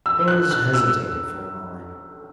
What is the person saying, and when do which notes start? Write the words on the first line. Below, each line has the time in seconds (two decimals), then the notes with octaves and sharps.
Torres hesitated for a moment.
0.06 E6
0.28 F#6
0.51 F#6
0.74 E6